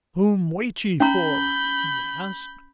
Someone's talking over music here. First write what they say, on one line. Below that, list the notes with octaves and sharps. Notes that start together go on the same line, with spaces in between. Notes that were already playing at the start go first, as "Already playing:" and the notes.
'Whom wait ye for?' he asked.
C#4 A#5 B5 G6